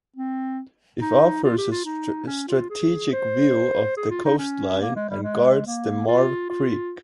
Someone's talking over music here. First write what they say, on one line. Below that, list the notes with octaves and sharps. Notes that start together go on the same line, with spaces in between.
It offers a strategic view of the coastline and guards the Marve Creek.
C4
D#4
F4
G4
F4
D#4
C#4
F4
G#4
C5
G#4
F4
D#4
C#4
A#3
G#3
G3
G#3
A#3
F4
F4